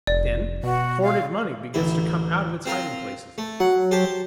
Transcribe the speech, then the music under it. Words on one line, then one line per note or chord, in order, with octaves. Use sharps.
Then hoarded money begins to come out of its hiding-places.
F1 D5
B2 F#4
F5
A1 D2 E4
C4 F4 A#4
A3
F#3 F#5
G4 C5 A5